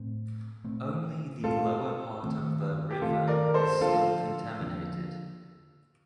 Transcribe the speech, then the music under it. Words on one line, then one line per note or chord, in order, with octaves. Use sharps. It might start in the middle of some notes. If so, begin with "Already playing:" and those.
Only the lower part of the river is still contaminated.
Already playing: A2 A3 C4
A#2 A3 C4
A#2 A3 C4 F4 A4
D#3 A3 C4
G4
D#3 A3 C4 F4 A4
A#4 D5
A4 C5
D3 F3 A#3 D4 F4 A4
D3 F3 A#3 D4